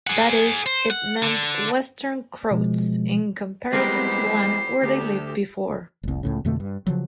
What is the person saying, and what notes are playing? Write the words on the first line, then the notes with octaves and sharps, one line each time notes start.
That is, it meant "Western Croats", in comparison to lands where they lived before.
G#4 F#5
C5
F#5
D3
B2 F3 G#3
G3 G#3 B3 C4 E4 G4 A#4 C7
D2 G4 A4
F1 C2
C#2 A2 C#3
F2 B2 D3 A3
G2
C#3 F3 F#3